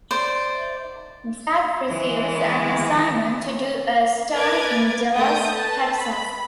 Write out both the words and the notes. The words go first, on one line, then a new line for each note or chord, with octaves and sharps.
Jack receives an assignment to do a story in Dallas, Texas.
C5 D5
E3 G#3
A#4 B4 D6 G#6 A6
A3 A#4 G5 D#6 G6
B4 A5
B5